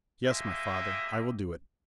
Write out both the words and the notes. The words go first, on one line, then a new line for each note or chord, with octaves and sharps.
"Yes, my father, I will do it."
G#3 A#3 G4 D#5 E5